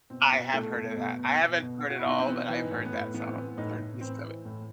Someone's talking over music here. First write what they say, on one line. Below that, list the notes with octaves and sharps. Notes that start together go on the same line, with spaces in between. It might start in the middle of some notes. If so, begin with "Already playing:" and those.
I have heard of that. I haven't heard it all, but I've heard that song. Heard a piece of it.
B2 C4
B2 B3
B2 A3
B2
B2
B2
B2
B2
B2
F#4
E4
B2 D#4
C4
E3 B3
E3
D#4
A2
B3
A2
E3 B3
C4
E3 B3
A2 D#4
A2
E3 C4
E3
A2